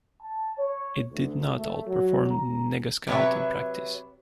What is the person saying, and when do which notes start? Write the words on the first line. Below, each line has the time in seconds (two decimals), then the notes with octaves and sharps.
It did not outperform NegaScout in practice.
0.21 A5
0.58 C#5
1.11 D2
1.56 A3
1.87 F#3
2.31 A#5
3.07 C3 F#3 B4 C#5 E5